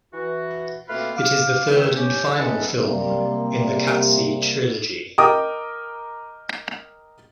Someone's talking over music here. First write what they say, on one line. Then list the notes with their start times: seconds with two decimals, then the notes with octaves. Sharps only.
It is the third and final film in the Qatsi trilogy.
0.13 E3 F#4
0.89 B2 A3 A#3 C4 F4 B4
1.17 F5 D6 F6
1.71 E2 D#3 A3
1.96 C#4 G4
2.38 E3 G#3 B3 C#4 A4 B4
2.84 C3 G3 A#3
5.18 A#4 D#5 G5 D6 D#6